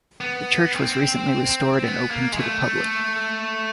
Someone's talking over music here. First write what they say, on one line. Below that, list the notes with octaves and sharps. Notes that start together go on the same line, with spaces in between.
The church was recently restored and opened to the public.
B3
C4
B3
A#3
G#3
A3